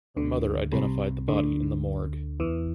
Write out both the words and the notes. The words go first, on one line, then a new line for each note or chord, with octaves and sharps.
Her mother identified the body in the morgue.
D2 D3
C2 C3
D2 D3
E2 E3